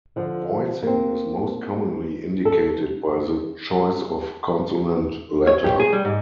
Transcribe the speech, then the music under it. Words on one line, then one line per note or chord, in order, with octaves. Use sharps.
Voicing is most commonly indicated by the choice of consonant letter.
D3 F3
A#3 C4
A4
C#5
G4
G#4
G3
G#2